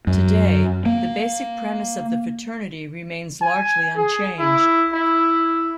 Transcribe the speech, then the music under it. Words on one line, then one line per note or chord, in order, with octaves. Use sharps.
Today, the basic premise of the fraternity remains largely unchanged.
F#2
A#3
G#5
G#4
E4
E4